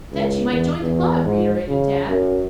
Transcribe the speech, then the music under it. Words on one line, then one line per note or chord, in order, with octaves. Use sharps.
"I said she might join the club," reiterated Tad.
C#2
E2
E2
G#2
C#3
F#2